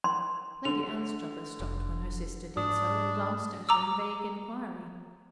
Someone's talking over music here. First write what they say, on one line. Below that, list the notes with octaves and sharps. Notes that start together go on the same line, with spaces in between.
Lady Anstruthers stopped when her sister did so, and glanced at her in vague inquiry.
C6
D3 F7
F1
G#2 D4 D#6
A#5 D6 E6